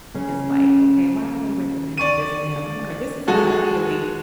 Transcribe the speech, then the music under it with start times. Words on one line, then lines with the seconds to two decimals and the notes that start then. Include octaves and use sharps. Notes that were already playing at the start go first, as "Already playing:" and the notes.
it's like, "Okay, why are they recommending this to him?" Or, "This is not really
0.14 C#3 C#4
1.98 D5 C#6 D#7
3.27 G#3 F#4 A4